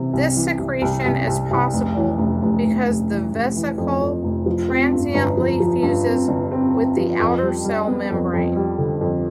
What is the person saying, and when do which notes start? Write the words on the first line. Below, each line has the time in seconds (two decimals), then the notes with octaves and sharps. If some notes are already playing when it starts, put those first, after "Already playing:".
This secretion is possible because the vesicle transiently fuses with the outer cell membrane.
Already playing: C3 E3
0.14 C2
0.36 E3
0.59 C2
0.82 C2
1.06 C2
1.27 C2
1.51 C2
1.73 F1
1.96 E3
2.18 F1
2.42 F1
2.64 F1
2.87 F1
3.10 E3
3.33 F1
3.56 E3
3.78 F2
4.01 F2
4.23 F1
4.46 F3
4.69 C4
4.92 G2
5.14 G1
5.37 F3
5.60 F3
5.83 G2
6.06 C4
6.28 G1
6.52 C4
6.74 C4
6.97 F3
7.20 F2
7.42 G3
7.64 G3
7.88 B3
8.10 F2
8.33 F2
8.56 G3
8.78 D3
9.01 F2